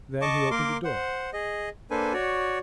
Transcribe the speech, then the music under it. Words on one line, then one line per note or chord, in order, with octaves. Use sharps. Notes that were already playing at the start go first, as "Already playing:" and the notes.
Then he opened the door.
D#5 A5 C#6 D6
A#3 A#4 C6 D6
C5 F#5
G#4 D#5
A#3 D4 A4 B4 C5 G#5
F#4 C#5 D5